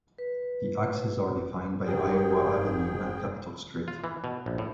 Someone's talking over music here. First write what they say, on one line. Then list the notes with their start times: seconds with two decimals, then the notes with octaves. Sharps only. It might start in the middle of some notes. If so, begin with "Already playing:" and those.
The axes are defined by Iowa Avenue and Capitol Street.
0.18 B4
1.85 G#2 G4 G#4 A#4 G5
3.88 F4
4.04 E3
4.24 B2
4.46 A#1
4.58 A2